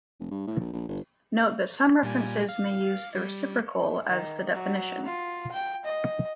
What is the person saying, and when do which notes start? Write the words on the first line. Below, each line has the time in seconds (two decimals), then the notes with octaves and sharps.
Note that some references may use the reciprocal as the definition.
0.19 F1
0.31 G2
0.47 A2
0.60 A#1
0.73 A#1
0.88 G1
2.03 A#2 G3 G#5
2.49 F5
3.15 G3
4.09 D#3
4.54 F#3
5.06 F4
5.51 G5
5.85 D#5